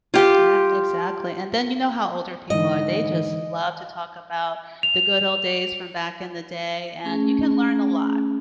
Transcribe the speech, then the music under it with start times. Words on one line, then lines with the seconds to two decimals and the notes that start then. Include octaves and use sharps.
Yeah, exactly, and then you know how older people are, they just love to talk about the good old days from back in the day, and you can learn a lot.
0.14 F4 G4
2.50 G#2 D3 E3 D#4 D#5
4.83 F7
7.04 A3 C#4 G#4